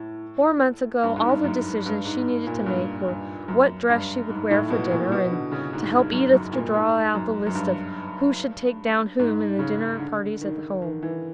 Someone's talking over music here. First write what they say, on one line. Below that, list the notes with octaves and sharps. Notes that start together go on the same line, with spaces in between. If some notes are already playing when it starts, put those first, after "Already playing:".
Four months ago, all the decisions she needed to make were what dress she would wear for dinner, and to help Edith to draw out the lists of who should take down whom in the dinner parties at home.
Already playing: A2
G2
G#2
G2
F#2
G2
G#2
A#2
G2
G2
F#2
G2
G#2
A2
B2
A#2
B2
D3
C#3
G#2
G2
F#2
F#2
A#2
G#2
F#2
F#2
G2
G#2
C#3
D3
D#3
D#3
E3